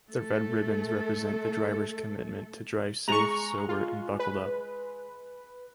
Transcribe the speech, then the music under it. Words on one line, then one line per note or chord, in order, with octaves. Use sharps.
The red ribbons represent the drivers' commitment to drive safe, sober and buckled up.
A3 A4
G#3 A#5 C#6 F7
F4
B4